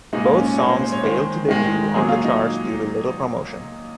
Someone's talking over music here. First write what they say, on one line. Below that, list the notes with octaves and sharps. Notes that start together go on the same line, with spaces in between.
Both songs failed to debut on the charts due to little promotion.
A#2 G#3 D#4
F4
C#4
C#4
A#2 G#3 C#4
C5
C5
C#5
D#3 G#3 C5
D#3 G#3
A#2 F#3 A#3 G#4
F4
D#4